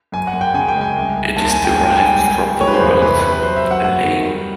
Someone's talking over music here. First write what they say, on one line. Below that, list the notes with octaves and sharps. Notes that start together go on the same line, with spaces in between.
It is derived from the word "lame".
F#2 G#5
F#5
F#2
G5
C#3 G#5
G5
G#3
G#5
C2
C2
D#2 A5
G#5
D#2
G5
G#2 G#5
G5
G3 G#5
G5
C#2 G#5
G5
G3
G#3 C#5
B4
C5
E2
B4
C5
C3 B4
C3 B4
B4
F#3 C5
E5
F#3
F#5
F#2 F#5
D#3
G3